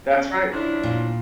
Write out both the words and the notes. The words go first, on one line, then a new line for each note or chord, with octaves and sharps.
That's right.
C#4
F3 C#4 D4 E4
A#2